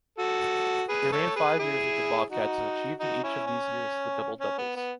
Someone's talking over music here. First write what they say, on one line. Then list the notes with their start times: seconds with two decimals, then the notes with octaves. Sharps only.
He remained five years with the Bobcats and achieved in each of these years the Double-Doubles.
0.18 F#4 A4
0.89 G#4 B4
1.12 A4 C#5
1.36 G#4 B4
1.59 E4 G#4
2.30 D#4 F#4
3.00 D#4 F#4
3.24 C#4 E4
3.47 C#4
4.40 C#4
4.58 B3
4.76 B3